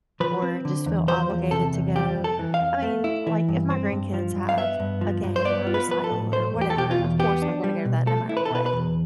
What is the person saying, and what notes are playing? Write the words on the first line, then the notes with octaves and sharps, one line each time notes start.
or just feel obligated to go, I mean, like, if my grandkids have a game or a recital or whatever, of course I'm gonna go to that no matter what.
F3 B4
C4
D3
E2
F3 C5
E2
C3 A4
E2
G3 G4
F2
A4
E3
F5
F2
A3
E4
E3
G2
C4
G2
F3
G2
F5
B3 E5
G2
F3
G2
C5
B3 D5
F4
B4
F3 B4
A4
A2
A3 C5
E2
G4
A4
B2 G4
F4
E2
B3 G4
D4
G3
B2
A3 A4
E4
B4
A4
B2 B4
B4
E2